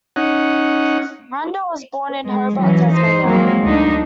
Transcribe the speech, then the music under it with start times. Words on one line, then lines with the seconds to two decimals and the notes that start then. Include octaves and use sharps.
Randell was born in Hobart, Tasmania.
0.16 C#4 D#4 F#5
2.26 G#3
2.56 E3 F#3 C#4
2.92 D#4 C5
3.24 F3 F#3 G#3 A#3 C4
3.63 D2 D4 D#4